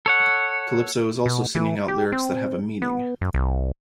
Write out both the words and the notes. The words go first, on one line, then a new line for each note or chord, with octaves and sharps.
Calypso is also singing out lyrics that have a meaning.
A4 C#5 F#5
B2
E3
G4
C4
B3
F#2
C2